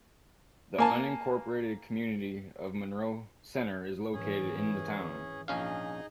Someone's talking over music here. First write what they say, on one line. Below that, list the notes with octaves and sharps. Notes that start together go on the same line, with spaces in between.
The unincorporated community of Monroe Center is located in the town.
A#3 G#5 A5
G#1 E3 C#4 G#4
A#1 C#4 D#4 G#4 D#5 F5